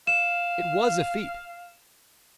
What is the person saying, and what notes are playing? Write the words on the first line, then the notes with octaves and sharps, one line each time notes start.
It was a feat.
F5 E7